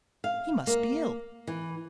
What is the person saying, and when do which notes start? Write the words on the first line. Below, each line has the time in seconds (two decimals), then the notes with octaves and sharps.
He must be ill.
0.24 F5
0.67 A#3
1.47 E3